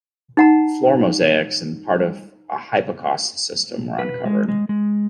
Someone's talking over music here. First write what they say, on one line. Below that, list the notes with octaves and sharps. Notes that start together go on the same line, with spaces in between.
Floor mosaics and part of a hypocaust system were uncovered.
D#4 F#5 A#5
B4
G#3
G#3
G#3